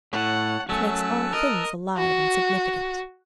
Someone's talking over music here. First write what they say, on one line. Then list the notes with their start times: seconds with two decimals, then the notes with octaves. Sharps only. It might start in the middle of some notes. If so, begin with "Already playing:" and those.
It makes all things alive and significant.
0.13 A2 C#5 F#5 A5
0.69 F#3 A3 C#4 A5 E6 F#6
1.33 A#4 D#5
1.97 F#4